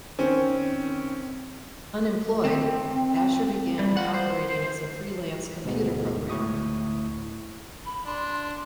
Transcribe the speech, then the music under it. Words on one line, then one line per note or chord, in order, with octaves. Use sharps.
Unemployed, Asher began operating as a freelance computer programmer.
D#3 C4 C#4
C4
G3
F4 F#5
C5
D2 G#2 B2 G#3 B3
D2 A2 E4 C#6 D#6
B5
D4 C6